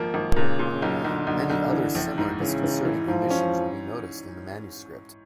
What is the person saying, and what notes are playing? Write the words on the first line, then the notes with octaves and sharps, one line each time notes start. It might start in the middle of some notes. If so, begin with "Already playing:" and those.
Many other similar disconcerting omissions will be noticed in the Manuscript.
Already playing: G#1 F3 A#3
G#1
A#2 C#3
A#2
C#3
B1
B1 D3
B1
B1
E3
A#1
G#2
C#3 E3
E3
E3
G#2 F3
C#4